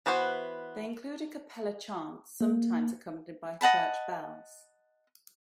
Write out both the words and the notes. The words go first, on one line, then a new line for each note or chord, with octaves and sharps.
They include a cappella chants, sometimes accompanied by church bells.
E3 B3 F#4 C5
A#3
D#5 F#5 A5 B5